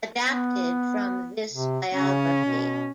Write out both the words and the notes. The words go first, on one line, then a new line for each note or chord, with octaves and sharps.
Adapted from this biography.
B3
C3
C#3 C#4
B2